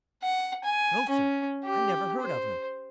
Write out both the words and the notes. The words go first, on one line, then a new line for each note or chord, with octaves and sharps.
"No, sir; I never heard of them."
F#5
G#5
C#4
G4
C5